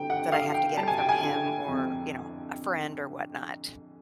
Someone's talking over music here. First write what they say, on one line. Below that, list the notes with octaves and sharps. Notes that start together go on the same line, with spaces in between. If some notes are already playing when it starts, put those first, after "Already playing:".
that I have to get it from him or, you know, a friend or whatnot.
Already playing: D3 G5
F#5
D3 F5
G5
G3 A5
G#5
G5
G#5
D3
F2